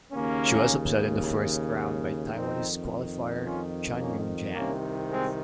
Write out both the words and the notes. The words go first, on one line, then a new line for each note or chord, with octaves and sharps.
She was upset in the first round by Taiwanese qualifier Chan Yung-jan.
D#2 C#3 A#3 C#4
F2 D#3 C4 D#4
C#4 F4
A#3 C#4
C2 C3 D#3 A#3 C#4
G#3 C4